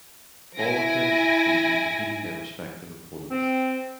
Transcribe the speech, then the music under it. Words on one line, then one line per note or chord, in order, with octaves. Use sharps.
All of them succeed in defeating their respective opponents.
E4 G#5 A#6 D7
C4